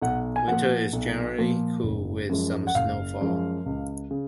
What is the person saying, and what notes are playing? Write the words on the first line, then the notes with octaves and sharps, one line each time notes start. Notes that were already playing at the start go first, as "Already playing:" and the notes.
Winter is generally cool with some snowfall.
B1 F#5
G#5
A#2 F3 F#5
B1
A#2 F3
F#1
F#2 F3 G#3
F#5
F#1 F5
F#2 F3 G#3
C#2
C#3